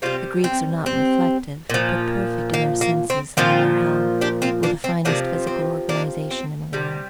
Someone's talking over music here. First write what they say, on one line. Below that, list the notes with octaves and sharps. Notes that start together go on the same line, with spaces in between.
The Greeks are not reflective, but perfect in their senses and in their health, with the finest physical organization in the world.
C3 G3 C4 F4
C4
C4
A#2 F3
A#3
A#3
C4
A#2 F3 C4 F4
D4 G4
C4 F4
A#3 D4
C4
C3 F3 A#3 D4
C4
A#3 D4
C4
C3 G3